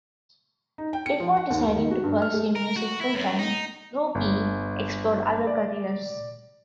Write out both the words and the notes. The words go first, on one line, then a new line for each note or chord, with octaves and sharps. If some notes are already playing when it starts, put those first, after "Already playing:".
Before deciding to pursue music full-time, Rupee explored other careers.
D#4
G5
C#7
F3
F#5
D#2
D#2
D#3
F#4
G2
F6
A3
A#4
F#4
E4
F#2
D#4
G1
D5